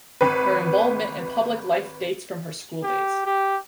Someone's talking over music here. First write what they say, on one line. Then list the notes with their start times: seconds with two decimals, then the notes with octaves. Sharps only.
Her involvement in public life dates from her schooldays.
0.21 G#1 B4
2.84 G4
3.26 G4